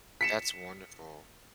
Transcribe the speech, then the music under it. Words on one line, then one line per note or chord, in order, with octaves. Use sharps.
That's wonderful.
B6 C#7 E7